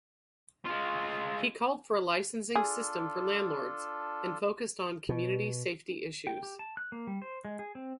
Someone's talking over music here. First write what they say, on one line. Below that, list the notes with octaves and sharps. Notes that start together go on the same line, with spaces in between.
He called for a licensing system for landlords, and focused on community safety issues.
G#3 F4
D4 F4 G#4 A4
B2
G5
G4
A5
F#6
A#3
G3
C5
G#3
G#4
C4